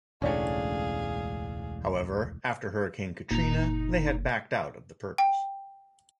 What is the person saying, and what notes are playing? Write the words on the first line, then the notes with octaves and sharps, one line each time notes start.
However, after Hurricane Katrina, they had backed out of the purchase.
E1 C#2 A2 C#4 D4 G#4 F5
F#1 A#2 D#4 A#5
G5